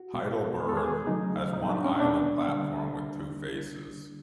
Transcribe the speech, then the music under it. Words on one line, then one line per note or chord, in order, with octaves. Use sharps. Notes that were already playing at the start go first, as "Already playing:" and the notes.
Heidelberg has one island platform with two faces.
Already playing: F#4
B2 G#3 B3
D#3 G#3 B3 G#4
A4
G#4
C#3 F#3 A3 D#4
A#2 G3 B3 D#4
D4
C#4
B2 G#3 B3 D4
D3 G3 A#3